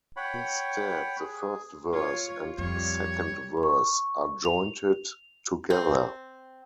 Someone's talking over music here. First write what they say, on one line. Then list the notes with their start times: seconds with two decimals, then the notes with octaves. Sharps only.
Instead, the first verse and second verse are jointed together.
0.17 C#5 F#5 G5 B5
1.20 G#4
1.94 F4 C#5
2.58 F2 G3 C#5
3.63 C#6
4.45 F7
5.70 C4